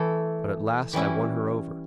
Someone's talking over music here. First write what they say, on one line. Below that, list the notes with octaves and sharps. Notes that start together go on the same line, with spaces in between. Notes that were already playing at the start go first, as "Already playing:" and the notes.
But at last I won her over.
Already playing: E3 A3 E4 A4
E3 G3 C#4 E4